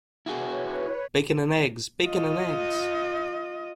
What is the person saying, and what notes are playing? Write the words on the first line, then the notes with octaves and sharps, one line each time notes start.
Bacon and eggs, bacon and eggs!
E4 F#4 G#4 B4 C#5
F4 D#5